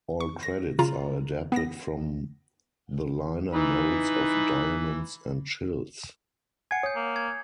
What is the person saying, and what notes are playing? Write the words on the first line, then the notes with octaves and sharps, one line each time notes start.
All credits are adapted from the liner notes of "Diamonds and Chills".
C#6
A#6
C#3 F4 A#5
B3 A#6
E3 D#4 B4
F#5 G#5 G#6 C7 C#7
C#5 D#6 G6
A#3
G#6